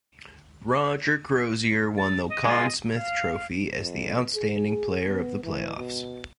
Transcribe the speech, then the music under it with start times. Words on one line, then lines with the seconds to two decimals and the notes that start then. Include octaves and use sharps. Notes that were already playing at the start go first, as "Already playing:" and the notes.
Roger Crozier won the Conn Smythe Trophy as the outstanding player of the playoffs.
1.98 A6
2.29 D#5
2.45 G#3 F4
2.98 F5
3.78 F2
4.35 G#4
5.07 B3
5.43 E3
5.77 B2